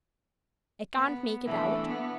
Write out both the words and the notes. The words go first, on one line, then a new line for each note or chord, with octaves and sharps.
I can't make it out.
B3
E3 A3 D4
B3